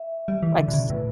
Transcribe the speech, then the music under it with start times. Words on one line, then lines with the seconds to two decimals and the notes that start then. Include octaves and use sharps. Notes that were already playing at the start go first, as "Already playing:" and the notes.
like, s
Already playing: E5
0.28 G3 E5
0.43 E3
0.58 D3 D5
0.68 B2
0.73 C#3
0.89 A2 B4